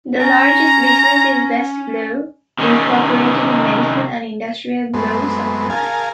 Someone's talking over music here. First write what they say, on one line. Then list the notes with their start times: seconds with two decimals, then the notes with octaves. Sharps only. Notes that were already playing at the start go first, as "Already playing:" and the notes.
The largest business is Best Glove, Incorporated a medical and industrial glove supplier.
0.19 C#4 A#5
2.59 C3 D#3 C#4
4.94 F#2 G#3 A3 B3 C4
5.70 G#4 A#4 F5 G#5 A5